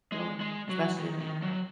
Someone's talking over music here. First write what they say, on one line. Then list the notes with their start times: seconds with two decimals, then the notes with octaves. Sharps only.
going, especially when you have
0.12 G#3
0.41 G#3
0.69 F#3
0.99 D#3
1.21 D#3
1.42 F#3